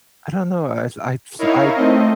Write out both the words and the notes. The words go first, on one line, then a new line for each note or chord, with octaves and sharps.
I don't know, I I s I
D#4 E4 A#4 C#5 F5
A3 C4 D#5